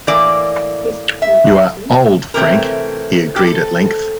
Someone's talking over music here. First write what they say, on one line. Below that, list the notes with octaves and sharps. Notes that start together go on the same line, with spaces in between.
"You are old, Frank," he agreed at length.
A2 E3 A#3 D5
E5
C3 E3 A3 C4 A#4
G4
A4